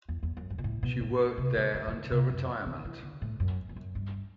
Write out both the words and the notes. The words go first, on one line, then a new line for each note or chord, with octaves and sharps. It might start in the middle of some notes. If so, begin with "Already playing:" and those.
She worked there until retirement.
E2
E2
F#2
G2
B2
A2
B2
A2
C3
D3
D3
E3
D3
C3
F#2
D3
E3
D3
A2
F#2
E2
F#2
G2